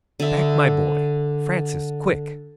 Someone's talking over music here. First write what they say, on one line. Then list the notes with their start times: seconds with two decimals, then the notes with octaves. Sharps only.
"Back, my boy! Francis, quick!"
0.20 D3 E5